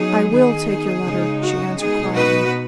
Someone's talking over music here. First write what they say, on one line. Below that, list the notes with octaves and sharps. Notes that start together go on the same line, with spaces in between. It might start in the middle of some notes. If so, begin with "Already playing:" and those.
"I will take your letter," she answered, quietly.
Already playing: F#3 B3 D#4 G#4
D#3 B3 D#4 G#4
C#3 G#3 D#4
F#4
B2 G#3 B3 D#4 G#4
F#4 B4